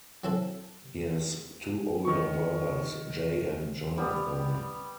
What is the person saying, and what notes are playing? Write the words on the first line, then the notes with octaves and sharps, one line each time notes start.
He has two older brothers, Jay and Jonathan.
F#3 C4 E4 A4
D#3 C#6
G3 B3